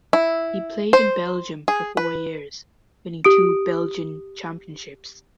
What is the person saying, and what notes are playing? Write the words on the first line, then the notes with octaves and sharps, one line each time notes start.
He played in Belgium for four years, winning two Belgian championships.
E4
C5
G#4
B4
G4 D#6 D7